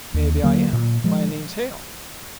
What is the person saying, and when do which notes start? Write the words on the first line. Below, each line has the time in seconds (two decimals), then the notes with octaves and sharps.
"Maybe I am--my name's Hale."
0.14 D#2
0.44 D3 F#3 A#3
0.73 A#2
1.04 F3 G#3